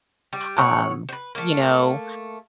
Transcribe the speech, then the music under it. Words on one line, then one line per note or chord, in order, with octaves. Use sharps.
um, you know,
G3
A2 C#5 F#5
B4 C5
A3 A#3